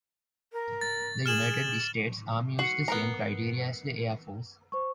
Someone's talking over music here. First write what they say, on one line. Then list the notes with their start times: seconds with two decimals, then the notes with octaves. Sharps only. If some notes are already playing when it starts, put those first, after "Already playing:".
The United States Army used the same criteria as the Air Force.
0.53 A#4
0.81 A6
1.26 G#4 F6 E7 F#7
2.59 F#4 C7 C#7
2.88 B3 A#4 A#5
4.72 C5 C#6